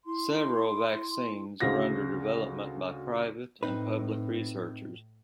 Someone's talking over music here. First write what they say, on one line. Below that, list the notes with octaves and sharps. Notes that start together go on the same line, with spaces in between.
Several vaccines are under development by private and public researchers.
E4 C6
D2 C#3 F#4 F5 A#6
A2 C4 D#4 B4